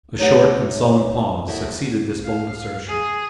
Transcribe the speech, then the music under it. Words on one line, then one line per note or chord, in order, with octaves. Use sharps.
A short and sullen pause succeeded this bold assertion.
F#3 A3 D#4 G4 B4 F#5
D#2 E3 F#3 F#4 A4 E5
F5
G#4